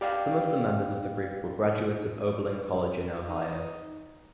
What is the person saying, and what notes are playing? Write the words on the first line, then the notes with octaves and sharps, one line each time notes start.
Some of the members of the group were graduates of Oberlin College in Ohio.
G4 D5 F5 G5
D#4